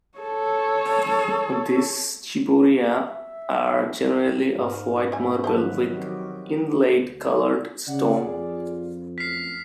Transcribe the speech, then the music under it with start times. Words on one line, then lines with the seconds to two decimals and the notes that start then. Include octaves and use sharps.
These "ciboria" are generally of white marble, with inlaid coloured stone.
0.18 A4 C#5
3.10 E5
4.56 G#2 A#4
5.12 G3 C4 E5 G#5
5.44 D#3 F3 F#3 B4 C5 F#5 A5
5.94 C4 F#4 G4
6.94 D2
7.87 C#3 G#4 D5 F#5
8.27 F2 F4
9.18 A1 F#2 F6 B6 C7